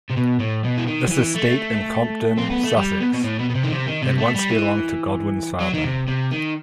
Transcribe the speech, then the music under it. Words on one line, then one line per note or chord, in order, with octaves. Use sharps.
This estate in Compton, Sussex, had once belonged to Godwin's father.
C3
B2
A2
B2
E3
D#3
F#3
E3
A3
C4
B3
A3
G3
B2
B2
A2
B2
B2
C3
D#3
C3
D#3
C3
A3
G3
E3
F#3
D#3
C3
C3
D#3